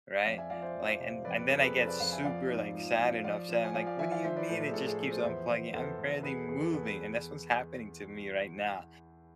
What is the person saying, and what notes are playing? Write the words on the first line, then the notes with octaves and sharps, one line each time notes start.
right? Like, and and then I get super, like, sad and upset. I'm like, "What do you mean it just keeps unplugging? I'm barely moving," and that's what's happening to me right now.
F2 D5 F5
E5 G#5
F3 D5 F5
C5 E5
F2
C3
F2 B4 D5
B4 D5
F2 A4
G#4 B4
F2 A4 C5
B4 D5
F2 D5 F5
E5 G#5
F3 D5 F5
G#2
F3
F3
F3 D5 F5
F3
G#5
F3 D5 F5
D5 F5
F3 E5 G#5
D5 F5
F3 C5 E5
B4 D5
A2 A4 C5
A4 C5
G#4
A2 A4
G#4
F3 A4
A4 C5
E2 C5 E5
E2
E2 A4 C5
E2
E2 G#4 B4
A4
E2 G#4
A4
E2 G#4 B4
G#4 B4